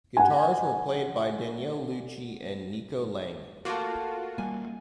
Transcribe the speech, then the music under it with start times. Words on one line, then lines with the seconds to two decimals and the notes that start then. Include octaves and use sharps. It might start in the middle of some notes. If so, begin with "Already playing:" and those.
Guitars were played by Daniele Lucci and Nico Lange.
0.17 F#5 G#5
3.65 A3 A#3 F4 F#4
4.38 G3 A#3 G#5